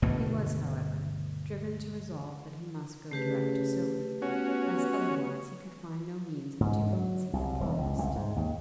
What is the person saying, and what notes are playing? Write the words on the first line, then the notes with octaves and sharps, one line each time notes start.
He was, however, driven to resolve that he must go direct to Sophie, as otherwise he could find no means of doing as he had promised.
G1 D2 B2 A3
C#3 A3 G4 B4
B3 C#4 F#4
G#2
F#3
C2
E1
C#2
C2
G#2
D#2